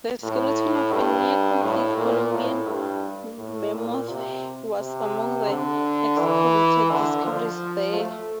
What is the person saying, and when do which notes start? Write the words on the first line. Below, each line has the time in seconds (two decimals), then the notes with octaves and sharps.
The skeleton of a near-complete Columbian mammoth was among the excavated discoveries there.
0.23 A2
0.93 G2
1.62 A2
1.98 A#2
2.33 A2
2.68 G2
3.38 A2
3.73 A#2
4.09 C3
4.79 C3
5.49 D3
6.19 E3
6.90 D3
7.24 F3
7.95 A3